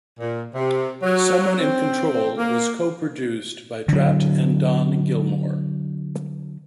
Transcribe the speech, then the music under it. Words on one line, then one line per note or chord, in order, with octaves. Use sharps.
"Someone in Control" was co-produced by Trapt and Don Gilmore.
A#2
C3
F#3
C4
A#3
D3 F#3